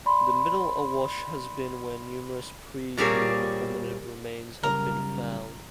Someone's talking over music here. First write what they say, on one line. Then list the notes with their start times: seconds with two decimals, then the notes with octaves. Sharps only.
The Middle Awash has been where numerous pre-human hominid remains have been found.
0.06 D5 B5 C6
2.97 A#2 G3 C4 G#4 A#4 C#5
4.63 F#2 C#3 G3 A#4